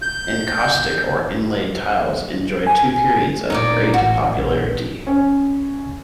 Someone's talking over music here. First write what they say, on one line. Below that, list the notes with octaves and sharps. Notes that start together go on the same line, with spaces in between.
Encaustic or inlaid tiles enjoyed two periods of great popularity.
G6
G#5
A#2 D#4 C#5 D5
A1 F#4
A#1 A#2
C#4